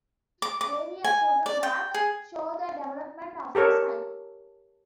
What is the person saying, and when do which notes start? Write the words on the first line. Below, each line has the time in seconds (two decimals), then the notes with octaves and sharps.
Aerial photographs show the development of the site.
0.42 D6
0.61 D6
1.04 G#5
1.46 D5
1.63 G5
1.94 G#4
3.55 G4 A4 A#4 C#5